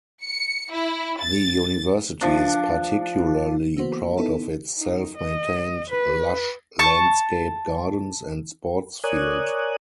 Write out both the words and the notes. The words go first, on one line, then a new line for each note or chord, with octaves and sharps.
The University is particularly proud of its self-maintained lush landscaped gardens and sports field.
C#7
E4
A6
F3 D4
E3 A#3 B3 F#4 C5
B3 D#4 E4 A4
D#4
D#5
B4
A5 C#6
A#4 C#5 D5 G#5 D#6 F#6